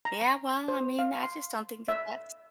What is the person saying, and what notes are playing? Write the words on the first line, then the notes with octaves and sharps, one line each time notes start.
Yeah, well, I mean, I just don't think that that's
A#5
C5
F5
C6
E5